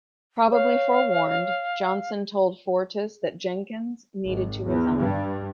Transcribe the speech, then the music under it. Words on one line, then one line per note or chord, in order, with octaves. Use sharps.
Probably forewarned, Johnson told Fortas that Jenkins needed to resign.
C#5 F5
G#1
E2
G2